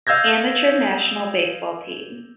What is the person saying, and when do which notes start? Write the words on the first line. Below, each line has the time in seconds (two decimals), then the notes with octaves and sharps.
Amateur National Baseball Team.
0.07 D#5 F5 E6 G6 G#6 A#6